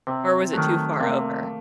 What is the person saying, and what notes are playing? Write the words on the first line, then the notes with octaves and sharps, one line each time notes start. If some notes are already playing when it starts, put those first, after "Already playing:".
Or was it too far over?
C3 C4
D#3 F#3 A3
C3 A#3
A3
A#3